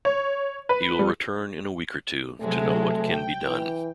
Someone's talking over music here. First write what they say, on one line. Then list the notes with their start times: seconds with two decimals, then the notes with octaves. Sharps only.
He will return in a week or two, to know what can be done.
0.05 C#5
0.69 B4
0.99 G3
2.41 C3 F#3 G#3 A3
3.10 G5
3.46 E3